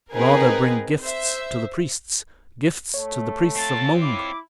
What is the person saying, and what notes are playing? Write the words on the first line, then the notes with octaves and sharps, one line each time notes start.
Rather bring gifts to the Priests, gifts to the Priests of Mung.
C4 D#4 G#4 A#4 B4
C5 E5
A3 C#5
C4 F4 A5
E4 D6